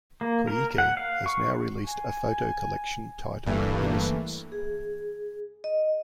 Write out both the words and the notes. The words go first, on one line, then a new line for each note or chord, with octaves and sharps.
Koike has now released a photo collection titled Innocence.
A#3
A#4
F#5
F5
C#6
G#5
G1 G2 E3 A3 A#3
G#4
D#5